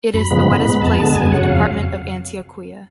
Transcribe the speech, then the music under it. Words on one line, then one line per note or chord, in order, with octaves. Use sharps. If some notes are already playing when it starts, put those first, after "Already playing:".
It is the wettest place in the department of Antioquia.
F#2 B5
C#3 F3 G#3 B3
A2
G#3 B3
F2 A5
D3 G#3 B3
F#2 G#5
C#3 F#3 F#5
F2 F5